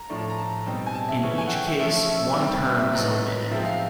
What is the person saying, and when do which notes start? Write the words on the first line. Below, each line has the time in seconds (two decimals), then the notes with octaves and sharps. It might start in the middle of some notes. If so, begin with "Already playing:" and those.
In each case, one term is omitted.
Already playing: A#5
0.09 A2 F3 A3 D4
0.30 A#5
0.38 A5
0.66 B2 G3 C4 D#4
0.86 G#5
0.94 A5
1.09 E5
1.23 C#3 E3 A3 C#4 E5
1.38 G#5
1.47 F#5
1.52 G5
1.66 E5
1.80 F3 A3 C#4 E5
1.95 E5
2.09 E5
2.37 C3 D#3 G3 C4
2.66 E5
2.79 E5
2.94 A2 F#3 B3 D#4
3.51 C3 F3 G#3 C4 D#4 E5
3.65 F5